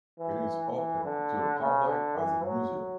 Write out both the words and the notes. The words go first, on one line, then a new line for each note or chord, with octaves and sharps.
It is open to the public as a museum.
E3
E3
D3
C#3
D3
E3
F#3